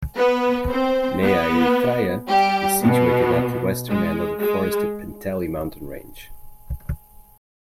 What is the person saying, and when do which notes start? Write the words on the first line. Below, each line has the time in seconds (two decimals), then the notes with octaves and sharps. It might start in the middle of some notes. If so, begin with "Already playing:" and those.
Nea Erythraia is situated at the western end of the forested Penteli mountain range.
0.17 B3 B4
0.70 C4 C5
1.23 B3 B4
2.29 G3 G4
2.82 B2 B3
3.89 G#3
4.41 G#3